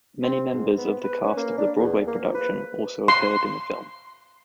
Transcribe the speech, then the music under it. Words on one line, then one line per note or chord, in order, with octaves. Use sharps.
Many members of the cast of the Broadway production also appeared in the film.
C4
G#2
B3
B4
C#4
A#3
D4
E2
A#3
F3
B4
C6